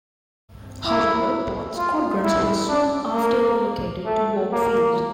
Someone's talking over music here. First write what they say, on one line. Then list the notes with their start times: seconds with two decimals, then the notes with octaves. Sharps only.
However, both squadrons were soon after relocated to Bogue Field.
0.85 E4
1.77 F4
2.23 E4
2.68 D4
3.13 A#3
4.05 A3
4.52 A#3